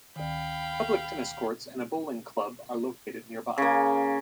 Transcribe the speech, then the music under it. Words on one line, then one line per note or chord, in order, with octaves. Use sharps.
Public tennis courts and a bowling club are located nearby.
D2 D#3 F5 G5 B5
C#3 A#3